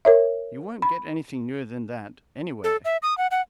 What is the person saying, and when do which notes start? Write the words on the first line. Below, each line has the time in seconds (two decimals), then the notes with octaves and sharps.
You won't get anything newer than that anywhere.
0.05 A#4 C#5 E5
0.82 B5
2.64 A4
2.85 E5
3.03 D#6
3.18 F#5
3.31 F#5